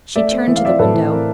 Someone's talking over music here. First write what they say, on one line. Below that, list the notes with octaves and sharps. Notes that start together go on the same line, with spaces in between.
She turned to the window.
A3 D5 E5
C4
E3 E5
F5
C4 D5 E5
A2 A4 B4
E3
C4 A#4